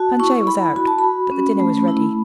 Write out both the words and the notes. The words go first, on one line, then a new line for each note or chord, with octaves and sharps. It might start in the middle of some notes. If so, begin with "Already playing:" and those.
Planchet was out, but the dinner was ready.
Already playing: F#4 A5
E4 C#6
E4 B5
F#4 B5
A5
B5
F#4
C#4
A3
E4